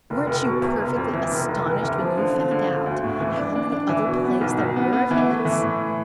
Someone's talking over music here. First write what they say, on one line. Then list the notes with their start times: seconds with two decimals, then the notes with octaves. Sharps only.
Weren't you perfectly astonished when you found out how many other plays there were of his?
0.10 F1
0.27 F1
0.45 B2
0.62 E2
0.79 F1
0.96 F2
1.13 E3
1.31 F1
1.48 F1
1.66 F1
1.83 E3
1.99 F3
2.17 D3
2.35 F3
2.51 D3
2.69 D3
2.86 D2
3.03 A2
3.20 E3
3.37 D4
3.55 D4
3.72 D4
3.89 E3
4.06 B2
4.24 B3
4.41 B1
4.58 B1
4.76 B3
4.93 B3
5.11 E3
5.27 A3
5.45 E3
5.62 A2